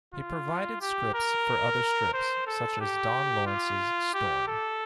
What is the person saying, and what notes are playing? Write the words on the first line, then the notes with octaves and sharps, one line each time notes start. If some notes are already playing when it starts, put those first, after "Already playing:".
He provided scripts for other strips, such as Don Lawrence's "Storm".
F4
G4
A#4
C5
A4
G4
F4
G4
A4